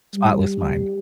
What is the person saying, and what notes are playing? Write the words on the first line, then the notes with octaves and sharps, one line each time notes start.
Spotless Mind.
G3